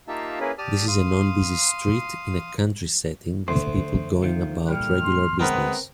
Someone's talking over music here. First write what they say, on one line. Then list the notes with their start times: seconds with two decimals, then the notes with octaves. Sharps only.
This is a non busy street in a country setting with people going about regular business.
0.08 A#3 D#4 F4 G4 E5 A5
0.40 A#3 C#4 E4 G#4 A#4 B4
0.58 G4 D5 A5 D#6 F6
0.88 F5 C6 D#6
3.48 D2 C5
4.24 D#3 F3
4.69 A#2 G3 F6
5.03 C6
5.39 D2 G#3 B3 C4 A#4 B4